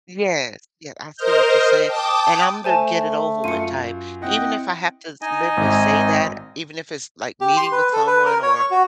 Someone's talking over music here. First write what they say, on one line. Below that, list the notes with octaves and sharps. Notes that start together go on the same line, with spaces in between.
Yes, yeah, I see what you're saying; and I'm the get-it-over-with type, even if I have to literally say that, even if it's, like, meeting with someone or
A#4 C5 D#5 F6 G6
G5 A5 D6 D#6
A3 C5 G#5 A5
F#2 F4 C6 C#7 D#7
C4 E4 D#5 F#5 G5
D#4 D#5 G#5
G#1
G4
C6
B4
A4
B4
A#4
C#5
C#6
F#4